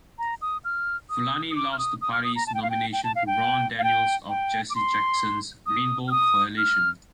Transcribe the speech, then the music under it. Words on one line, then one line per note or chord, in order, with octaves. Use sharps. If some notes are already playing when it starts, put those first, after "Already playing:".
Fulani lost the party's nomination to Ron Daniels of Jesse Jackson's Rainbow Coalition.
A#5
D#6
F6
D#6
D#6
D6
F6
D#6
D#6
F6
D#6
A#5
A5
G5
F5
G5
G5
A5
F5
G5
F5
G5
G5
D6
C6
D#6
F6
D#6
F6